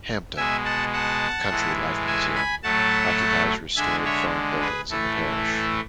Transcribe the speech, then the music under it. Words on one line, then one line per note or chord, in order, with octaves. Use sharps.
Hamptonne, the Country Life Museum, occupies restored farm buildings in the parish.
B2 G#3 E5 G#5
F#5 A5
F#5 A5
A2 E3 G#3
E5 G#5
G#5 B5
A2 F#3 A3 F#5 A5
D3 G#3 E5 G#5
C#5 E5
G#4 B4
A2 E3 A3 A4
A4